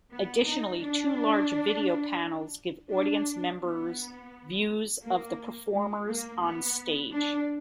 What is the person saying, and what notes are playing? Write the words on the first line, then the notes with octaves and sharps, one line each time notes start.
Additionally, two large video panels give audience members views of the performers on stage.
B3
D#4
D4
D4
B3
A#3
G#3
A#3
B3
D4